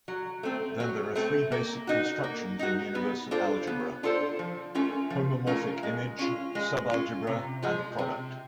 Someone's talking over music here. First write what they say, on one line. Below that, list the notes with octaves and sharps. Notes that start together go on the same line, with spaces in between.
Then there are three basic constructions in universal algebra: homomorphic image, subalgebra, and product.
F#3
A3 C4
F#3
A3 C4
A#3
D#4 F#4
A#3
D#4 F#4
B3
D4 F4 A4 C5
B3
D4 F4 A4 C5
F3
A3 C#4 F4 A#4
F3
A3 C#4 F4 A#4
G#3
C#4 F4
G#3
C#4 F4
C3
F3 G#3
C3